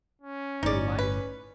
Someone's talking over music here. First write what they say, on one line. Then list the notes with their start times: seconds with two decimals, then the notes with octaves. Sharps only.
"Your wife?"
0.22 C#4
0.63 G1 A2 D#4 D5
0.99 B4